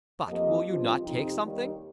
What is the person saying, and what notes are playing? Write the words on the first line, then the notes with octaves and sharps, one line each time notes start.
But will you not take something?
F2 F3 A#3 G4 D#5
G2 F3 C4 F4
F2 C3 F3 D#4 G4
D#2 D#3 G3